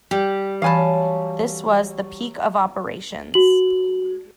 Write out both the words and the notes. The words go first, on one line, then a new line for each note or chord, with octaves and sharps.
This was the peak of operations.
G3 G4
E3 F#3 F5 G#5 A5 B5
F#4 F#7